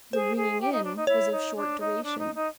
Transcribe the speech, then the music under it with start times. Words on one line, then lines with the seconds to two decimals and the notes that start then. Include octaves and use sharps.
The "ringing in" was of short duration.
0.13 G#4 C5
0.36 G#4
0.61 G4
0.72 D#4
0.84 D4
0.96 D#4
1.07 E4 C#5
1.31 D#4
1.55 D4
1.79 D#4
2.03 D4
2.18 D#4
2.35 D#4